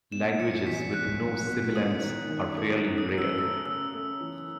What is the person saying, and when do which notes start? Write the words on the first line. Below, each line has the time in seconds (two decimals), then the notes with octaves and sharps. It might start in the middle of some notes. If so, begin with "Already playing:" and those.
Languages with no sibilants are fairly rare.
0.12 B2 E7
0.39 F#3 C#7
0.67 E2 B6
0.94 B2 F#6
1.21 F#3
1.48 B2
1.76 F#2 D#6
2.02 D#3
2.29 D#3
2.57 A3 D#6
2.77 D#6
2.85 F#2
2.98 D#6
3.09 F#2 D#6
3.18 E6
3.38 A3 E6
3.65 C#3 E6
3.93 A3
4.21 E3